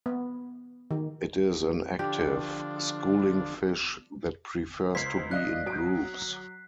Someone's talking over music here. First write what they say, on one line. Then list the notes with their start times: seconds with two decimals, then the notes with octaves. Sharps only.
It is an active, schooling fish that prefers to be in groups.
0.06 B3
0.91 D#3
1.99 D3 F3 D4 G4
4.95 C#2 C5 G#6 B6 C7
5.31 D4 F4 D#5 F#6
5.66 F#3 D#6 D7